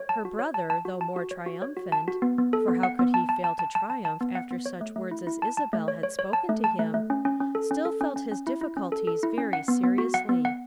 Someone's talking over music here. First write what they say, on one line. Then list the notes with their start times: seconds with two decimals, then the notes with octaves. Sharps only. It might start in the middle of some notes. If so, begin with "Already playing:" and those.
Her brother, though more triumphant,--for how could he fail to triumph after such words as Isabel had spoken to him?--still felt his difficulties very seriously.
Already playing: C#5
0.09 A5
0.25 F#4
0.39 C#5
0.54 A5
0.70 A5
0.85 F#4
1.01 A5
1.16 F#4
1.31 C#5
1.46 F#4
1.62 C#5
1.77 F#4
1.92 A5
2.08 F#4
2.22 B3
2.38 B3
2.53 A4
2.68 B3
2.83 F#5
2.99 B3
3.14 A5
3.29 A5
3.44 A5
3.59 A5
3.75 A5
3.90 A5
4.05 A5
4.21 B3
4.35 F#5
4.51 B3
4.66 C#5
4.81 A3
4.96 A3
5.11 E4
5.27 E4
5.42 A5
5.57 A5
5.73 A3
5.88 C#5
6.03 C#5
6.19 C#5
6.33 A5
6.49 A3
6.64 A5
6.79 A3
6.94 A3
7.10 C#4
7.25 C#4
7.40 C#4
7.55 A4
7.71 C#4
7.85 A4
8.01 C#4
8.16 C#4
8.31 C#4
8.47 E4
8.61 E4
8.77 C#4
8.92 A4
9.07 A4
9.23 E4
9.38 C#4
9.53 F#5
9.68 B3
9.83 B3
9.98 F#4
10.14 F#5
10.29 B3
10.45 F#5